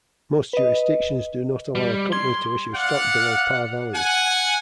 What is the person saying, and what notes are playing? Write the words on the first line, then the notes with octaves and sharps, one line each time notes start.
Most jurisdictions do not allow a company to issue stock below par value.
B4 D#5
G3
C6 G#6
D5 F5 F#5
F#5 G#5